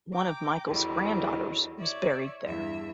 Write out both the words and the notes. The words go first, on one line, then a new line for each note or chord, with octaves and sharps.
One of Michael’s granddaughters was buried there.
G5 A#5 D6
E2 D3 D#3 F#3 G3
C#5 D5 E5
E2 G2 E5